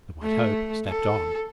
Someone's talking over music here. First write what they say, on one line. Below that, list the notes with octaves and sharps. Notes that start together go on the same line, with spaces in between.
The White Hope slept on.
A3
A4